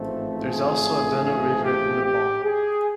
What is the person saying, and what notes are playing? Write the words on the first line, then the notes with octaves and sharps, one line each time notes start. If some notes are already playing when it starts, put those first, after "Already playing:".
There is also a Danu river in Nepal.
Already playing: A1 G#2 F3 A3 C4
G#4
G#4
G4
G4
G#4